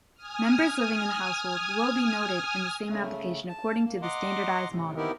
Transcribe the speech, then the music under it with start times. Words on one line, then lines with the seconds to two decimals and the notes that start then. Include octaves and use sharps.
Members living in the household will be noted in the same application according to standardized model.
0.15 G#5 D#6 F6
2.88 C#3 A3
3.49 A5
3.84 A#3
4.02 D#5 F#5 A#5 C6 D6
4.69 A2 C3
4.97 B3 C4 D#4 E4 G4 A#4